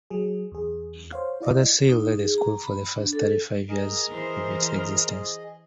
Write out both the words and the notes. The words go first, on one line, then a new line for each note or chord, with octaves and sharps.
Father Sill led the school for the first thirty-five years of its existence.
F#3 G#4
E2 G#4
C5 C#5 F5
E4 F4 D5 D#5
D#4
G#4
A#5
B5
D4
A4
G#4 A#4 D#5
E3 C5